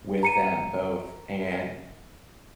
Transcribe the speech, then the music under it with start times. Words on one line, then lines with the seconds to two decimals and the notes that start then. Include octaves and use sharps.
with them both, and
0.23 A#5 C#7 D#7